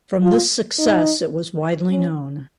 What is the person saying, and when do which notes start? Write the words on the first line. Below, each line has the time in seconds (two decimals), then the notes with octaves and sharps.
From this success it was widely known.
0.23 F4
0.78 D#4
1.89 C#4